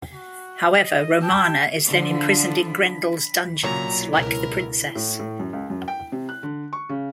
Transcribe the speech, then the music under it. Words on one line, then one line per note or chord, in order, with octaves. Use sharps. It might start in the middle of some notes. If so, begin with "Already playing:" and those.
However, Romana is then imprisoned in Grendel's dungeons like the Princess.
F#4
D#5
G5 A5
D3 F3
B1 A#2 F#3 C#5 A#5
C#2 B2 E4 A#4
A2
A2
F#2
C#2
F#2
G5
C3
F#6
D3
C#6
C#3